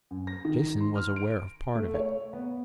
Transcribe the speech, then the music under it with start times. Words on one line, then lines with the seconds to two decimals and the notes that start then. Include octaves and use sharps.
Jason was aware of part of it.
0.11 F#2
0.27 A#6
0.45 D#3
0.81 C6
0.95 F6
1.16 D7
1.75 A3
1.94 C#5
2.33 B3